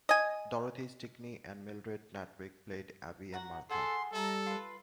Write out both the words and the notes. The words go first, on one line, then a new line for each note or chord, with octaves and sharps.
Dorothy Stickney and Mildred Natwick played Abby and Martha.
D#5 G#5
F#4 F#5 A#5
G#4 A4 F#5 C6
G3 A4 E5 A#5
F4 B4